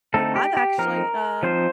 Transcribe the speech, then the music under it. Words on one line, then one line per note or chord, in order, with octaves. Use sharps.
I've actually, uh,
D3 A3 C4 D#4 A4
G4
G4
F3 C4 D#4 A#4
F3 C4 D#4 C5